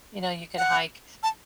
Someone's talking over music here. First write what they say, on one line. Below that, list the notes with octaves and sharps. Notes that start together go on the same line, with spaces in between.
you know, you could hike.
F#5
A5